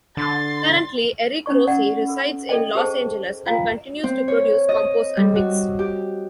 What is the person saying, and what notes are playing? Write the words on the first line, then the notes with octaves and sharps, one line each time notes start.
Currently, Eric Rosse resides in Los Angeles and continues to produce, compose and mix.
D3 C6 A6
C#4 D#4 D5 C#6
D5 F#5
A4
A4 D5 D#5 G5
G4 G#4 C5 A5
F4 F5 G5 A#5
C4
C#5
D#5
G3
F#4
G4